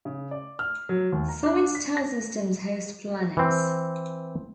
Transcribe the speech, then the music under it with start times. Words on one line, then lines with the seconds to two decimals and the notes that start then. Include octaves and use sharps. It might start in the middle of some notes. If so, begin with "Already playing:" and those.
Seven star systems host planets.
0.05 C#3
0.31 D5
0.59 F6
0.89 F#3
1.12 D#2
1.28 A#5
1.43 D4
1.75 B6
1.97 A#6
3.37 E3 C4